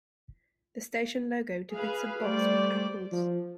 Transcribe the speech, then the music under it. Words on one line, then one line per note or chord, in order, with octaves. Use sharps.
The station logo depicts a box with apples.
G#4 B4 F5
G3 A3 C5 D5
F3